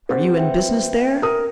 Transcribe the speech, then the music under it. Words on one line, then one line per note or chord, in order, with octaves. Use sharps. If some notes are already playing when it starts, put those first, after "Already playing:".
"Are you in business there?"
C4 G4 G#4 F#5
B4 E5 G5
A#4 D#6